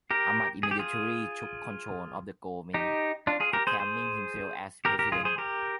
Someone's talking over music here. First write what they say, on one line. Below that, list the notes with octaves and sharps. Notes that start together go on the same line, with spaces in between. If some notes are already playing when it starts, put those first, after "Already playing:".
Ahmad immediately took control of the government, proclaiming himself as President.
G4 A#4
G#4
G4
F4 G#4
D#4 G4
D4 F4
F4 G#4
G4 A#4
G#4 C5
G#4 C5
G4 A#4
G4 A#4
F4 G#4
G#4 C5
G4 A#4